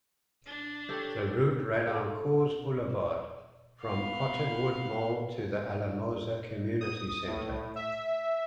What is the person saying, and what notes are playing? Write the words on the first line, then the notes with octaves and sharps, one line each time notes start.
The route ran on Coors Boulevard from Cottonwood Mall to the Alamosa Community Center.
D4
G4 A4 C#5
A4 A#4 F5
B3 F5
D#6
A2
E5